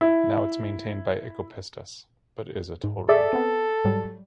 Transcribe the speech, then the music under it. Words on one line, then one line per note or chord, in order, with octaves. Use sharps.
Now it's maintained by Ecopistas, but is a toll road.
E4
G#2
G#4 A4 D5 E5
B3 C4
G#2 F#3 G3